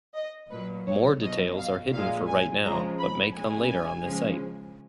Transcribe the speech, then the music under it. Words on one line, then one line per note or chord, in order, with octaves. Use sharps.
More details are hidden for right now, but may come later on this site.
D#5
A#2 F#3 B4
C#5
B2 F#3 D#5
F5
A#2 G#3 F5
G#5
C#3 F3 G#3 A#5
B5
C#3 G#3 G#5
C#3 F3 G#3